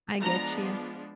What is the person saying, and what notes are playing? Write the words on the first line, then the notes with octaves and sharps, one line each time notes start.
I get you.
F3 G#3 B3 D4 A#5